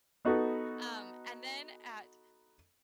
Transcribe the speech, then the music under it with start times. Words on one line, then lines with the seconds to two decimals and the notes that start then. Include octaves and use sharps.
Um, and then at
0.25 B3 D#4 F#4 A4 B4